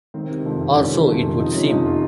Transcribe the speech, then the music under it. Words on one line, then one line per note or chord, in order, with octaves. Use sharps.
Or so it would seem.
D#3 C4
C3
F2
F2
D#3 C#4
C3
F2
F2
F3 D#4
C3 C#4
F2 D#4
F4